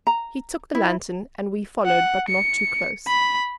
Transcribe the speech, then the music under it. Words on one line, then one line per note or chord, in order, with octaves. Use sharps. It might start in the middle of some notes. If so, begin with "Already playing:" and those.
He took a lantern and we followed, but not too close.
A#5
E4
F#5
C#7
B5